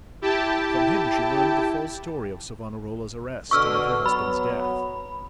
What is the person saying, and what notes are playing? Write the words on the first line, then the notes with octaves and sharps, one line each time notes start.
From him she learned the full story of Savonarola's arrest, and of her husband's death.
E4 G4 G5 A5
B2 D3 C#6 E6 F6
F#3 B3 B5